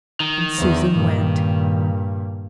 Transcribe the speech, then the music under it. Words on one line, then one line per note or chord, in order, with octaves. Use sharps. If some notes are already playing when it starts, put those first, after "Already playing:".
And Susan went.
D#3
E2
G2 A#2